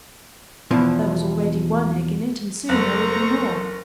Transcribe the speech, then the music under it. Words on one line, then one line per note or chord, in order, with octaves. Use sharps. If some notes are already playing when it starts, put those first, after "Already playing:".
There was already one egg in it and soon there would be more.
E2 B2 E3 F3
F#1 F#3 C#4 A4 A#4 C5 A#5 C#6